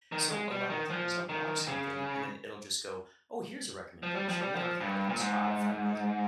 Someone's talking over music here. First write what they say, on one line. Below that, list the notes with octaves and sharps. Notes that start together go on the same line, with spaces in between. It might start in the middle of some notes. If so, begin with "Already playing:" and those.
So, a lot of times I'll watch something and then it'll just go, "Oh, here's a recommendation," you know, kinda like how Spotify does it,
D#3
G#3
G3
D#3
F3
D#3
C#3
F3
G3
F3
G3
F3
G2
A#2
G#2